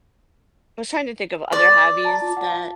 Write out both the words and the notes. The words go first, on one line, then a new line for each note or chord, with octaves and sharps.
I was trying to think of other hobbies that
D5 C6 D#6
A5 A#5
F4
F#5
F5